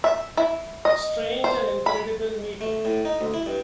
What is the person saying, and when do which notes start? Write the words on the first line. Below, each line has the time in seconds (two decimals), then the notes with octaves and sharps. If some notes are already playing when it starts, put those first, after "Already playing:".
Strange and incredible meeting!
0.04 E5
0.37 E4
0.85 D#5
1.44 C5
1.86 B5
2.61 A3
2.85 A2
3.05 D#4
3.21 D2
3.34 E4
3.46 G2